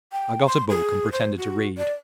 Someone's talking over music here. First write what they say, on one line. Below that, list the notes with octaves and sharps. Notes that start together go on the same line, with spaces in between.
I got a book, and pretended to read.
G5
C6
G#4
C5
F#4
D5